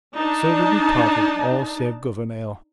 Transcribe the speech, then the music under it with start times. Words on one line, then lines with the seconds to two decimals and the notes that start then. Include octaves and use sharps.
So they departed all save Gouvernail.
0.15 D4 D#4 A5